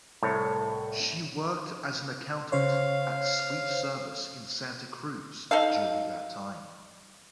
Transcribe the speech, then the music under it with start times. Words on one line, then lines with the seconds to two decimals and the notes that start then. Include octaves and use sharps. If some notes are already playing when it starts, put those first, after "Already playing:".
She worked as an accountant at Sweet Service in Santa Cruz during that time.
0.23 C2 A2 C#5
2.52 C#3 C5 C#5 F5
5.51 D#4 A4 F5